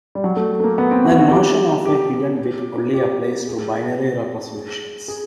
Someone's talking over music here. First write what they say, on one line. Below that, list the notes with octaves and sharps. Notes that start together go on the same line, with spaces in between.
The notion of a hidden bit only applies to binary representations.
G3
F#3
A3
A3
A#3
B3
C4
F#4
F#4
G4
G4
G4
G#4
G#4
G#4